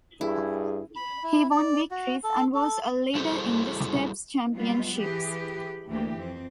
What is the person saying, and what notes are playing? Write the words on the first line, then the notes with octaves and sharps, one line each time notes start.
He won victories and was a leader in the steps championships.
G2 E4 G#4
B5
E4
D5
F#4
A4
A4
G3 E4 F#4 G#4 A4 C5
F#3 G3 B3 F4
E3 G4 G#4 B4
D2 E3 A#3 G4
F2 C4